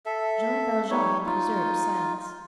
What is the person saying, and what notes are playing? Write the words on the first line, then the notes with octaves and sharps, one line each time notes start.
Jean Valjean preserved silence.
A4 E5
G3 D#4 C#5
D#4 F4